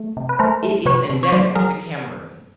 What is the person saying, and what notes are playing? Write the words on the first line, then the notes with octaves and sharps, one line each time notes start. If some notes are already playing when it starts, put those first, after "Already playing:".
It is endemic to Cameroon.
Already playing: A3
C3
B4
A3 A#4 C5
A3
C3 B4 C#5
C3
C#5
F#3 C5 D5
F#3 G#4 A#4